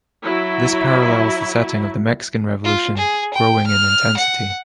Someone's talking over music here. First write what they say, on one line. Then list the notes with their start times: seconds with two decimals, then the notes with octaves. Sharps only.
This parallels the setting of the Mexican Revolution growing in intensity.
0.23 F#3 E4
2.64 F4
2.97 G#4
3.34 G5
3.67 F6
4.17 F#5